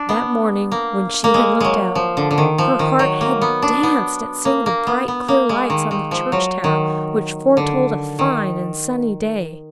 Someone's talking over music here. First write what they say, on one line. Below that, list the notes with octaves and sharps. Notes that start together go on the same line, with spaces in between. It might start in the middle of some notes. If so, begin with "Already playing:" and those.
That morning when she had looked out, her heart had danced at seeing the bright clear lights on the church tower, which foretold a fine and sunny day.
Already playing: D4
B3
A#3
A#3
G#3
F#3 G#3
F3
D3
D3
D#3
F3
D#3
F#3
A#3
B3
D4
B3
A#3
A#3
B3
B3
A#3
G#3
D#3
D#3
F3
F#3
D#3
D3
D#3